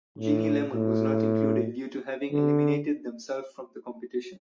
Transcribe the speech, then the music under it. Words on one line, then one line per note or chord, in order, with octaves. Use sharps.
Ginny Lemon was not included due to having eliminated themself from the competition.
A2
A2
D3